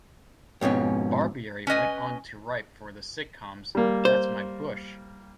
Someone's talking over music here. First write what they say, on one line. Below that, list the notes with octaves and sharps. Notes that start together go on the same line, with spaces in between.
Barbieri went on to write for the sitcoms That's My Bush!
F2 G#2 B2 C#4
C#4 B4 D#5 G#5
G3 A#3
C5